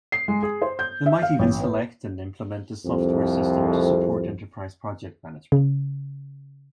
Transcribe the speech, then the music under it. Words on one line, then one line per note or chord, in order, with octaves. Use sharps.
They might even select and implement a software system to support Enterprise Project Management.
C7
G#3
G#4
C5
G6
E5
F5
A1
B3
C2 F2
C#3